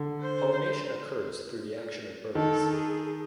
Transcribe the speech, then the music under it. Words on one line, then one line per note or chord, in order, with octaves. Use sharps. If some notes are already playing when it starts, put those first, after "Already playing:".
Pollination occurs through the action of birds.
Already playing: D3
C5
D#3 A4
G#4